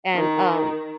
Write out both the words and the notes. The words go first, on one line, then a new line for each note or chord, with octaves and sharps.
And, um
D#3